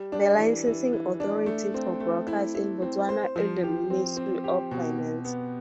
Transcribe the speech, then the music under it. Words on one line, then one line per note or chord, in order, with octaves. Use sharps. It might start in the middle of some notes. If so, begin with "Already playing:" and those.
The licensing authority for brokers in Botswana is the Ministry of Finance.
Already playing: G3
D4
E3
E3
E3
D4
A3
C4
A3
E4
E4
C4
C5
F3
G4
C4
C4
G4
B2
B2
B3